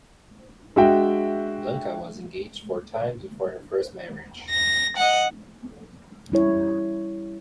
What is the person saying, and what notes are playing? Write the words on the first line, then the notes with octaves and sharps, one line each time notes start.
Blanca was engaged four times before her first marriage.
G#3 D4 F#4 E5 G5
A#6
D#5 F#5
G3 E4 C#5